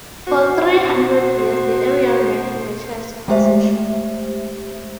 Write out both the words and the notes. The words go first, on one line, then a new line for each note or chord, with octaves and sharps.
For three hundred years the area remained in the Church's possession.
B2 B3 F#4 C5
G#3 A3 G4 C5 E5